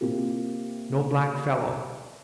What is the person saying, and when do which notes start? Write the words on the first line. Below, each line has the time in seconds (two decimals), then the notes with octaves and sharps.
No black fellow.
0.01 C3 A#3 C4 E4 F4 G4